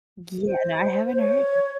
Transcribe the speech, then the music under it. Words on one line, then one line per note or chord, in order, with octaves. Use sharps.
Yeah. No, I haven't heard
C5
C5
C#5